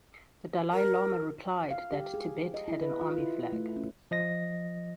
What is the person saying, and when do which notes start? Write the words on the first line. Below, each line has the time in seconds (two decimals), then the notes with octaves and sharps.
The Dalai Lama replied that Tibet had an army flag.
0.73 A#4
1.71 F5
1.92 G4
2.14 G#4
2.54 D#5
2.68 E4
2.81 B4
3.01 F4
3.18 E4
3.52 A3
3.76 C#4
4.11 F3 D#5 A#6